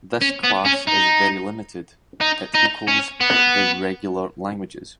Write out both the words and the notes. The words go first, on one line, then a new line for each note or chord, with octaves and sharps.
This class is very limited; it equals the regular languages.
C#4
B3
C#4
D#4
D#4
D#4
C#4
B3